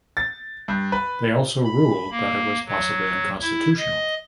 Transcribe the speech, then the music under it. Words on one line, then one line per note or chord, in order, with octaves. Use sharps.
They also ruled that it was possibly unconstitutional.
A6
G2
B4
B5
A#3
F#3
E4
D#5